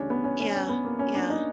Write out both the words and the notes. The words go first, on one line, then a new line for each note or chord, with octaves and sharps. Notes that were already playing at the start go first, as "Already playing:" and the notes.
Yeah, yeah.
Already playing: D2 C#3 E3 G3 C#4 D4
B3
C#4
C#4
C#4
B3
A#3
C#4
D4
D#4